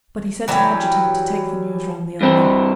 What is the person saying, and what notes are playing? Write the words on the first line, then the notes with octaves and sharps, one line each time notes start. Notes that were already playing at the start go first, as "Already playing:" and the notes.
But he sent an adjutant to take the news round the army.
E3 F#3 G3
G2 C4